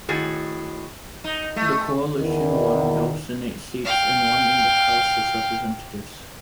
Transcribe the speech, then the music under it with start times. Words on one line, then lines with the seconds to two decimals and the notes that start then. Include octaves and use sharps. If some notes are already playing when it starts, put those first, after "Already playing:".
The coalition won no Senate seats and one in the House of Representatives.
0.09 A2 D#3 F#4 G#4
1.24 D#4
1.56 A3
2.19 E2 D#3
3.85 F5 G5